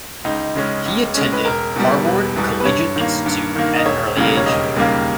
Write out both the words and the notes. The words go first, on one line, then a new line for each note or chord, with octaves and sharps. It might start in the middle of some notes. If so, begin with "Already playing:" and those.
He attended Harbord Collegiate Institute at an early age.
C#2 D#4
C#3 G#3 C#4
C#2
C#3 G#3 C#4
B4
E1 A#4
E2 B2 G3
E1 B4
E2 B2 G3
B4
G2 C#5
D#3 A#3
G2
D#3 A#3
D#5
E1 C#5
D#2 C#3 G3 A#3
C#5
E1 D#5
D#2 C#3 G3 A#3